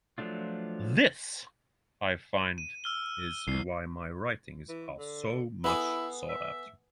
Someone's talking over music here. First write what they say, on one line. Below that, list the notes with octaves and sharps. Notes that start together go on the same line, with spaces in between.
"This" I find is why my writings are so much sought after.
F3 F#3 A3 D4 F4
D#7
E6 F6 G7
C2 C7
E3
D3
B3 E4 G#4 A4
E5